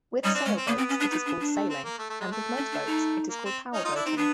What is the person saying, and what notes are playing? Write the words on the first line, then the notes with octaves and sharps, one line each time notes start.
With sailboats, it is called sailing, and with motorboats, it is called powerboating.
G3 C#4 D#4
C4 D4
G#3 C#4
C4
A#3 B3
C4
C#4
D4
D#4
D4
D4
A3
C4
A#3
A3
A3
G#3
A3
C#4
D4
D#4
A#3
C4
C#4 D#4
D#4 F4
D4 E4
C4 D#4
B3 D4